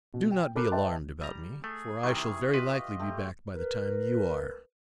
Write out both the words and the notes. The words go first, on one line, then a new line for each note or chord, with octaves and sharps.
Do not be alarmed about me, for I shall very likely be back by the time you are.
B2
G5
A4 A#4 B5 D6 F6 F#6
B4 D#5 E5 G5 A5 C6
G3 A#5
A3 G#4
C3 D#3 E3 G3 C#6
F4 G4 B4 D#5 F5
A3 G4
A#4 B4